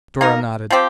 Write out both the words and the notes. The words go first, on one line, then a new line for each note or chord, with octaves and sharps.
Dora nodded.
A#3 D#4 A#4
F3 C4 G4